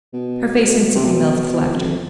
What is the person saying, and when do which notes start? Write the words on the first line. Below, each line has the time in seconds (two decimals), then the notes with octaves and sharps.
Her face instantly melted to laughter.
0.13 B2
0.95 C3
1.05 B2
1.67 E2
1.74 F2